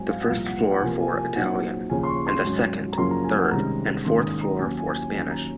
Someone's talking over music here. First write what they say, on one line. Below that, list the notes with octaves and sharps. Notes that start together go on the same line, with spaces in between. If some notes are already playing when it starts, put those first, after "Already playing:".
The first floor for Italian, and the second, third, and fourth floor for Spanish.
Already playing: G#2 F#3 C4 G#5
F5
F#5
C2 A#2 F3 F5
F#5
F#5
C3 F3 A#3 G#5
G#5
G#5
A#2 F#3 C4 D#4 F#5
D#2 C#3 F3 G#5
C6
C#6
C6
G#2 F#3 C#4
A#5
F#2 C#3 F3 A#3 C#4 C6
A#5
G#5
F#5
C2 C3 D#3 G#3 C#4 A#5
G#2 D#3 A#3 C#4 C6
D#6
A#5
D#2 D#3 F#3 C#4 G#5
G#5
G#5
D#2 D#3 F#3 C#4 G#5
A#5